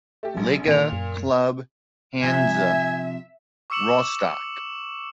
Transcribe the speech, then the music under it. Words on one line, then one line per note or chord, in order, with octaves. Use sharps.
Liga club Hansa Rostock.
A3 G4
A#1 F#3
A#2 D#3 F7
F#2
C3 F3 E5 G#5
C#6 D6 E6 C#7 E7 F#7